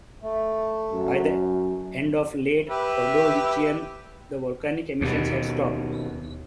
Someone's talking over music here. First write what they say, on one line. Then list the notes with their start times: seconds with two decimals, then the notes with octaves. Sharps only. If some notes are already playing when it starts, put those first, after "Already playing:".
By the end of the Late Ordovician the volcanic emissions had stopped.
0.22 A3
0.93 F#2
2.69 G4 B4 E5
5.01 D#2 B2